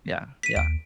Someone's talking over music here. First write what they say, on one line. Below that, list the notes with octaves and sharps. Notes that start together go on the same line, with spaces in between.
Yeah, yeah.
B6 D#7
D#2 D7